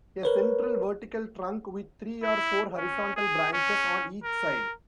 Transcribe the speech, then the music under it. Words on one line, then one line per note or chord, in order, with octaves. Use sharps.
A central vertical trunk with three or four horizontal branches on each side.
A#4 B4 C#5
E4
C#4
G#4
C#4
A#4